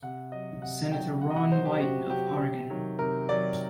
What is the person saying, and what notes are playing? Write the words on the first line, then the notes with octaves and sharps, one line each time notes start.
Senator Ron Wyden of Oregon.
C3 F#5
F#3 D#5
C3 F#5
F#3 G5
C3 F#5
D#5
F#5
F#3 C5
G4
C3 F#4
F#3 G4
C3
D#3 F#3
C3 A#4
D#3 F#3 D5